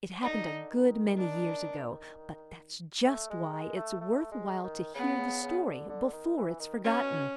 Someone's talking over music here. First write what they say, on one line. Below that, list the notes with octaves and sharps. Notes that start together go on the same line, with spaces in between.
It happened a good many years ago, but that's just why it's worth while to hear the story before it is forgotten.
D3 D#4
D#3
D4
A3
G#3
G#3
A3
A3
G#3
D#3
C#3 B3
C#3
C#3
D3
D3
D#3
E3
D#3
B2 C#4